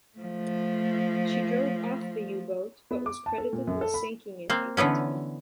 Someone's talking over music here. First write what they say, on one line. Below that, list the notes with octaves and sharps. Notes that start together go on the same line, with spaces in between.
She drove off the U-boat, but was credited with sinking it, at the time.
F3 A3
B3
D6
A5
A4
A#2
F#2
A4
B5
A#3 C4
D3 E3 B3 C#4